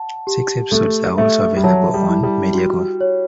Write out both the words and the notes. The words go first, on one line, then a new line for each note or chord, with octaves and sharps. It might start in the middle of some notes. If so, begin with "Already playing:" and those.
Six episodes are also available on Media Go.
Already playing: F#5 A5
G4
A3 A4
A3 E5
G3
F#3 A5
G3
E4
G3
F#4
C#5